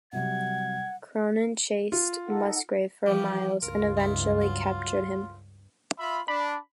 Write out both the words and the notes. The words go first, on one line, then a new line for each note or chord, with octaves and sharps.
Cronin chased Musgrave for miles and eventually captured him.
C3 F#3 G3 F#5 G#6
F4
D#4 A4 F#5
E3 F3 G3 G4
C#2 G2 F4 A#4
D#4 E4
F#3
F4 E5 B5
D4 B5